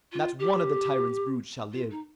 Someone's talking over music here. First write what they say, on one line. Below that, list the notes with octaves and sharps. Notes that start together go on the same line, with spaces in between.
Not one of the tyrant's brood shall live.
F4
G4
F4
D#4